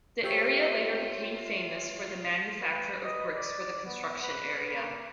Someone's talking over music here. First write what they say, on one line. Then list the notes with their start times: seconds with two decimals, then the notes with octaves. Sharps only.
The area later became famous for the manufacture of bricks for the construction area.
0.24 F4 G4 A#4 C5 C#5 E5 G5
2.62 B4
3.05 D#5
3.35 D5
3.86 B3
4.23 B4
4.71 A#3